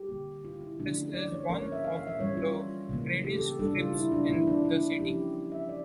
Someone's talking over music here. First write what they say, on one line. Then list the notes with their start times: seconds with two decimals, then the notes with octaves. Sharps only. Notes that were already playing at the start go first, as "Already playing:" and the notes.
This is one of the trendiest strips in the city.
Already playing: G4
0.09 D3 G3 A#3
0.45 F4
0.61 E4
0.79 D3 F3 A3 C#4 D4
1.14 D5
1.32 C#5
1.49 F3 A#3 C#4 A#4
1.60 C#5
1.72 E5
1.84 F5
1.96 F5
2.07 E5
2.19 E3 G3 C#4 C#5
2.37 F4
2.89 C#3 E3 A#3
3.24 G4
3.36 A4
3.59 C#3 G3 D4 A4
3.77 F4
3.94 E4
4.12 D4
4.29 E3 A#3 D4 E4
4.47 D4
4.65 E4
4.99 F3 C#4 G4
5.52 E5
5.69 D5